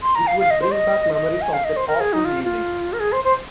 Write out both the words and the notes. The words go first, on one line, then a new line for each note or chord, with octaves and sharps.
It would bring back memories of that awful evening.
C6
A#5
F5
F5
D#5
C5
D#5
D#5
G#5
F5
D#5
C5
A#4
G#4
D#4
F4
F4
A#4
G#4
C5
C5